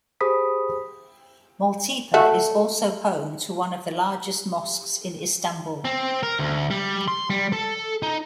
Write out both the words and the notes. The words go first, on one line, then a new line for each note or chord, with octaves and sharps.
Maltepe is also home to one of the largest Mosques in Istanbul.
G4 G#4 C5 B5 D#6 B6
A3 F#4
C4
A#4
D2
G3
C6
G3
A4
D#4